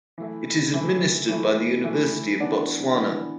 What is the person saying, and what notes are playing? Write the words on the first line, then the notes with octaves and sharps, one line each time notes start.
It is administered by the University of Botswana.
E3 A3 E4
E3 A3 E4
E3 A3 E4
E3 A3 E4
E3 B3 D4
E3 B3 D4